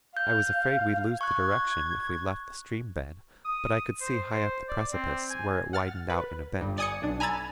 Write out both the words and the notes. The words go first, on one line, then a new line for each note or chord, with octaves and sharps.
I was afraid we'd lose the direction if we left the stream bed, but I could see high up the precipice where it widened out in a bench.
F5 G6
C#6 F#6 G#6
D#6
C5
C5
D5
C4
G#5
F#5 F6 A6
B4
G1 G2
D5 G#5 D#6 G#6 C#7
B1 D4
G#5 A#5 B5 E6 G#6 A6